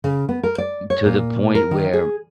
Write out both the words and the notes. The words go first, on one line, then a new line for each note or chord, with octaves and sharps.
to the point where
C#3
B3
A#4
D5
C#5
A#2
A#4
D#3
G#4